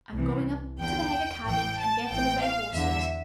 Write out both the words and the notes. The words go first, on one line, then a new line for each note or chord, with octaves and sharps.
I'm going up to the Heger cabin and get one of their horses.
C2 C3 E3
E2 D3 G5
A1 A2 E3 G5
A5
A1 A2 E3 G5
F5
E2 D3 E5